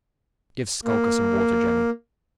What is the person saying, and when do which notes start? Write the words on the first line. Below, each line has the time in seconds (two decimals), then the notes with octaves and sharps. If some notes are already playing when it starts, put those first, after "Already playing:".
Give Skulker some water, Jenny.
0.85 A#3